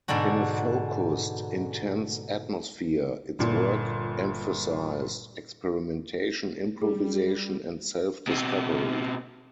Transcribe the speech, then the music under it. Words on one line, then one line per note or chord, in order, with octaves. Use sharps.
In a focused, intense atmosphere, its work emphasised experimentation, improvisation, and self-discovery.
G#2 B2 D3 D4 F#4
G1 A#2
G3 G#4
B2 C4